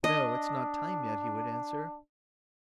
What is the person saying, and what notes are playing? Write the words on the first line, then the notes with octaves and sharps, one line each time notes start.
"No, it's not time yet . . ." he would answer.
D4 D#5